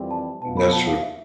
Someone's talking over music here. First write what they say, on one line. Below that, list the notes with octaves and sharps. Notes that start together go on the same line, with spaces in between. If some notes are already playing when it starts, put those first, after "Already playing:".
That's true.
Already playing: F2 E3 G3 C4
A5
B2 B3 F4 A5
B5
A5
F5
E5